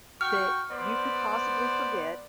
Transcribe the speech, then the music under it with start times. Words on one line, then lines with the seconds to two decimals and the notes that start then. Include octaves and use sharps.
that you could possibly forget,
0.21 F#4 G5 C#6 F6
0.71 B3 C5 D5